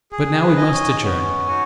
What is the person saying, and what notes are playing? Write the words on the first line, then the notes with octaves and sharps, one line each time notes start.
But now we must adjourn.
G#4
B4
D#5 G#5
C#4
B3 C#4
D#4 F#4 C#5 G#5